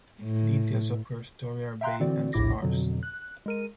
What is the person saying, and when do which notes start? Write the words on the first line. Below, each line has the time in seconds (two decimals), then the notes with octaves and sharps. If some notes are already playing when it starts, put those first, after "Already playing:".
Details of her story are vague and sparse.
0.22 A2
1.81 E5 F5 G5 A#5 C6 F#6
2.00 D3 E3 C4 F#4 D5
2.33 A#1 D#2 A2 E4 D6 A#6
2.62 F2 B2 D3 F#3
3.03 F#6
3.46 G#3 A#4 D#7